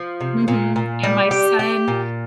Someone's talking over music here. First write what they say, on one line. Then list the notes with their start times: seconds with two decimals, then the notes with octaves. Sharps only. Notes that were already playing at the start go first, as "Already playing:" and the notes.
Mhm, and my son
Already playing: F3
0.21 C3
0.48 A#2
0.76 A#2
1.03 G3
1.31 G4
1.59 G4
1.88 A#2